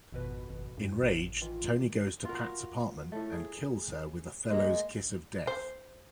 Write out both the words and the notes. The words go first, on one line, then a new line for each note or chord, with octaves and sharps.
Enraged, Tony goes to Pat's apartment and kills her with Othello's kiss of death.
G#1 F2 B2 B4
G#1
F#2 A2 C#3
A1
D#3 E3 F4
F4 F#4 A#4
A2 A3
G#4
G#3 A#3 A#4
C5